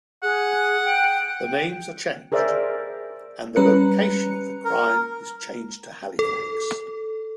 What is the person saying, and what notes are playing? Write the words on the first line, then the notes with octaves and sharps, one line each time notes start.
The names are changed and the location of the crime is changed to Halifax.
G#4 F#5
G5
G#4 A#4 C5 D5 E5
G3 C#4 B4 A#5 F#6 C#7
A#4
A4